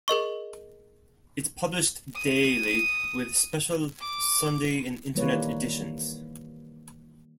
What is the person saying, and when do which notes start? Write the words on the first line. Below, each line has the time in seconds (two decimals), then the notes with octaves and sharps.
It published daily with special Sunday and Internet editions.
0.08 G#4 A#4 D#5 C#6
2.15 D#6
4.00 D6
5.15 D#3 E3 G3 A#3 B4 C#5